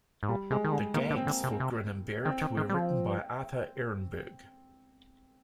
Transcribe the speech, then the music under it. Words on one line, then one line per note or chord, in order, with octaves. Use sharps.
The "gags" for Grin and Bear It were written by Arthur Erenberg.
G#2
A#2 G3
C3 G#3
D#3
D3 G#3
D#3 A#3
D3
C4
D3
C3
C3
D#3 C4
D#3
D#3
G3
F3